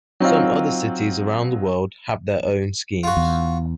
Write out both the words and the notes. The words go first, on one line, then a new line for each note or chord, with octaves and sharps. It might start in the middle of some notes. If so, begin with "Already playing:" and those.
Some other cities around the world have their own schemes.
F#3 C4 D#4 F4
F4 F#4
E2